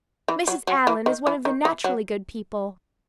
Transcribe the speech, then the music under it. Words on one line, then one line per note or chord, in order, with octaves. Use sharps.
Mrs. Allan is one of the naturally good people.
E3
F#3
F#3
E3
D#3
E3
D#3
E3
F#3